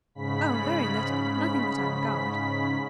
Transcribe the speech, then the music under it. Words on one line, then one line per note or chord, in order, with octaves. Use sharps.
"Oh! very little, Nothing that I regard."
G#2 C#3 B5 B6